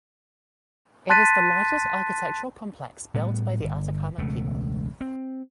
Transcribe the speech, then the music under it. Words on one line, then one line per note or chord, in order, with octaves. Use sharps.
It is the largest architectural complex built by the Atacama people.
A5 C6 F#6 A6 B6 D#7
A2 G3 B3
G1
E1 C#2 B2 A3
C4